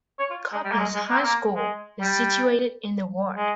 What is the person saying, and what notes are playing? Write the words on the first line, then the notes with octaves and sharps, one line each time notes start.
Coppice High School is situated in the ward.
C#5
F4
G#3
G3
A#3
G#3
G#3
A#3
C4
A#3
G#3
G3
G#3